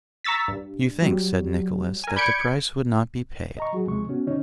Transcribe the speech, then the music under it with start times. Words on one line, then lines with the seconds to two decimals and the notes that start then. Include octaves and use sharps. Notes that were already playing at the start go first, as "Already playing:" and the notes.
'You think,' said Nicholas, 'that the price would not be paid.
0.24 A#5 C#6 E6 A6 B6
0.48 G2
1.02 F#3 G3
2.04 A#4 G#5
2.16 D5 B5 G6 G#6 C#7 D7
3.58 D#5 A#5 C#6
3.73 F#3 F#4 G#4
3.87 D#2 C3 F3 G#3 C#6
4.09 B3 C#4 F#4
4.27 D3 C#4 D#4 C#5